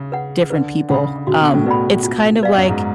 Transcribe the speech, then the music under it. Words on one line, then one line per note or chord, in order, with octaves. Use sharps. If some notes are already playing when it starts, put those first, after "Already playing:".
different people, um, it's kind of, like
Already playing: C#3
B4 F#5
D3 B4
C#3 F#5 B5
C#3 F#4
B2
A2
B2 B4 D5 F#5 B5
F4
B4 D5 F5
F#2
G#2